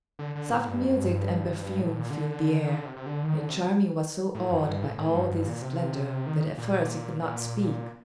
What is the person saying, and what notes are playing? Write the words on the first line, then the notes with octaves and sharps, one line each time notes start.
Soft music and perfume filled the air, and Charming was so awed by all this splendor that at first he could not speak.
D3
D3
A2
G2
F#2
G2
A2
A#2
D3
D#3
D3
C3
C3
D3
D#3
D3
C3
A2
F#2
G2
A2
A2
G2
G2
A#2
C3
D#3
A#2
A#2